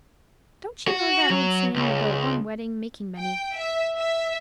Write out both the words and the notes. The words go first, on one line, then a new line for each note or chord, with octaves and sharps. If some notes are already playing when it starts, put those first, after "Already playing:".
"Don't you know that old saying about one wedding making many?"
F#4
F#3
C#2
G5
E5
E5